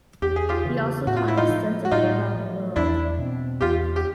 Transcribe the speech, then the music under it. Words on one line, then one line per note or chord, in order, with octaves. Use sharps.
He also taught extensively around the world.
E2 G4
G#4
F4 G4
C#3 E3
A2 F#4
F4
E4
D#4 F4
F3 A3
F#4
A2 D#4 F4
F3 A3
E2 D4 E4
B2 G#3 C4
E2 F4 G4
G4